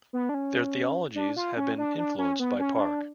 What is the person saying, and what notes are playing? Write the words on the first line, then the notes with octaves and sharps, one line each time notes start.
Their theologies have been influenced by Park.
B3
D4
C#4
D4
F4
C#4
D4
D4
C#4
B3
C#4
C#4
D4